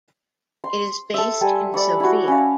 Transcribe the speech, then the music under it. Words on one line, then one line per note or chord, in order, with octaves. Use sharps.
It is based in Sofia.
C6
A4 E5
G3 A4 G#5
D5 B5 C#6
E4 F#4
C#4 F5